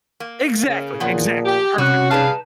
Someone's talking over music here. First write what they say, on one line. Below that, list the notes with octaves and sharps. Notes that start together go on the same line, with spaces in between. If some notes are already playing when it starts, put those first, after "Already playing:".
Exactly, exactly, perfect.
A#3
C#3
A#2 F3 B3 G#4
G4
C3 G3 C#4 F#4 F#6
G3 D#4 G#4 B4 F5 A5